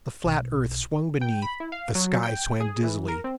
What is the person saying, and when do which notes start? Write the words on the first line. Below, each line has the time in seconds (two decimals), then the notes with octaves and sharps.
The flat earth swung beneath, the sky swam dizzily.
0.24 B1
1.21 G5
1.42 B5
1.60 E4
1.72 F5
1.95 F#3
2.23 G5
2.60 G#4
2.84 E3
3.08 A#4
3.24 C4